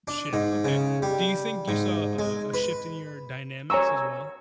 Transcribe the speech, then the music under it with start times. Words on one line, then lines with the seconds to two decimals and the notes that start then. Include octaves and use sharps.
shift, okay. Do you think you saw, uh, a shift in your dynamics, as well?
0.08 D4
0.33 G#2
0.65 C#3
1.02 G3
1.68 G#2
2.19 G#3
2.54 B4
3.70 C#5 G#5 A#5 C#6 E6